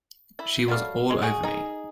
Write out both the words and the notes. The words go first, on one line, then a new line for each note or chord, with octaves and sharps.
She was all over me.
E4
F#3 G3 A3 F5
G#3
F#4 G#4
D#4 G#4